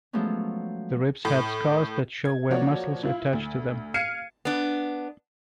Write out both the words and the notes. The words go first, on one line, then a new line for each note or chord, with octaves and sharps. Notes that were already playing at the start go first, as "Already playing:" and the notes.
The ribs had scars that show where muscles attached to them.
F3 F#3 G#3 A3 B3 C#4
A2
G#6
F3 A#3 F#4 C#5 D5
E4 F4 F5
D2
F5 F6 G#6 C7 C#7 D#7
B3 D4